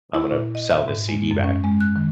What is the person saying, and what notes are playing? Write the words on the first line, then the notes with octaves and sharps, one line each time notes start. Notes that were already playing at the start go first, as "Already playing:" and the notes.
"I'm gonna b sell this CD back."
E4
A#2
D#5
E5
G#2
G#3
F#2
C#4
G#3
F#6
D#3